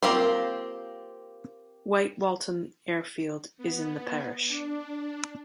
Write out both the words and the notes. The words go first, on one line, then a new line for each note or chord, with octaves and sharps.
White Waltham Airfield is in the parish.
A#3 C4 F4 G4 C5
B3
D4